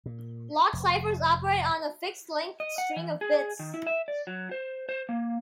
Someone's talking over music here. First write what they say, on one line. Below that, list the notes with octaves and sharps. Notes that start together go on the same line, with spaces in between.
Block ciphers operate on a fixed length string of bits.
A#2
F1
D#5
F#5
E3
G#4
D#3
E4
E5
D5
F#3
C5
C5
A#3